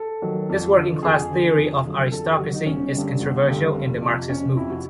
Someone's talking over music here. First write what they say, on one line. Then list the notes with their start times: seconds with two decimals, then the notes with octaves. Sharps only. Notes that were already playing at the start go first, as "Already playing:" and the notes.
This working-class theory of aristocracy is controversial in the Marxist movement.
Already playing: A4
0.22 D#3 F#3
0.49 F2
0.76 D3 F3
1.03 F2 G#4
1.31 D3 F3
1.57 F2
1.85 D3 F#3
2.12 F2 A4
2.25 G4
2.38 D3 F#3 F#4
2.53 D#4
2.66 G1 C#4
2.94 G2 D3 G3
3.20 G1
3.48 G2 D3 G3
3.75 F1
4.02 F2 C3
4.29 F1 C#4
4.56 F2 C3 E4
4.70 F#4